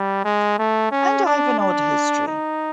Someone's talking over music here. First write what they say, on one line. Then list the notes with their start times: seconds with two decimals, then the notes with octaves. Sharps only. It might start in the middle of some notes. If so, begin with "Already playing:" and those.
And I’ve an odd history.
Already playing: G3
0.25 G#3
0.59 A3
0.92 C#4
1.26 D4
1.60 D4
2.27 D#4